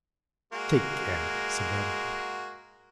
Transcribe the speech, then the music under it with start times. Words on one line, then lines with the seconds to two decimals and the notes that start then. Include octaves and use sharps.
'Take care,' said Riderhood.
0.53 G#3 A#3 F#4